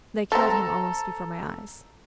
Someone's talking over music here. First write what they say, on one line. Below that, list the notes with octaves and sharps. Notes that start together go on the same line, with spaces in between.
"They killed him almost before my eyes."
A3 C4 A4 A5 A#5